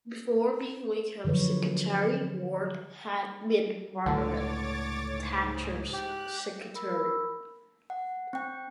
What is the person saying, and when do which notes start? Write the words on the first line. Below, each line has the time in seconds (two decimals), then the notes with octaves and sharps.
Before being Wakeham's secretary, Ward had been Margaret Thatcher's secretary.
1.25 D3 F3 F#3 B4 C#5
4.06 C#2 A2 D3 C#5 D6 A6
5.07 G#2
5.93 G4 F#6
6.75 A#4 B5 E6
7.90 F#5
8.33 C4 G5